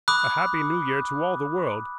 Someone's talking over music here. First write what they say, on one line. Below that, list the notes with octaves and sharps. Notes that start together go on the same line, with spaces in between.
A happy New Year to all the world!
B5 D6 D#6 F#6